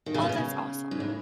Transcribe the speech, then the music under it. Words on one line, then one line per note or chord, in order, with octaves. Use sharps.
Oh, that's awesome.
D#3
C#3
B2
C#3
G#2
A2